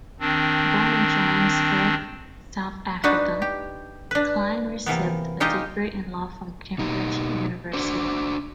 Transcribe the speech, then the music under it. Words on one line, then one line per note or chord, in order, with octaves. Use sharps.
Born in Johannesburg, South Africa, Klein received a degree in law from Cambridge University.
D#3 C4 D4
D4 D#4 F#4 B4
G4
D4 B4
C3 E3 A#3 B3
G#3 D#4 F4 G4 D#5
B2 D#4 G4
D4 F#4 C5